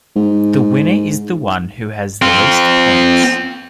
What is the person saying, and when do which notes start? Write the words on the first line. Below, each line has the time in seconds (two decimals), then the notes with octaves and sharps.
The winner is the one who has the least points.
0.16 G#2
2.22 C4 F4